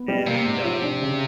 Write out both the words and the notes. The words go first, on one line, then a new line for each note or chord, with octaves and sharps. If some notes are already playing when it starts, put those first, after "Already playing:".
and, um,
Already playing: B3
G3
C3 A#3
G#2
F3
D4
C#3